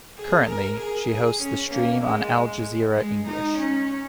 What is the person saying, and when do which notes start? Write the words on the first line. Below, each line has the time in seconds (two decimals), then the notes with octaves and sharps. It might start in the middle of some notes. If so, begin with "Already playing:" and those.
Currently, she hosts The Stream on Al Jazeera English.
0.17 G#4
0.47 A#4
0.79 G#4
1.10 G#4
1.40 C#4
1.72 A#3
2.03 G#3
2.96 G#3
3.28 D#4
3.59 C#4